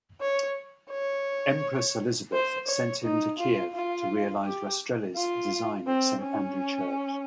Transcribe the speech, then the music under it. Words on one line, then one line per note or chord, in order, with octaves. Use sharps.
Empress Elizabeth sent him to Kiev to realize Rastrelli's design of Saint Andrew Church.
C#5
C#5
C5
C#5
D#4
F4
F4
G4
F4
C4
C#4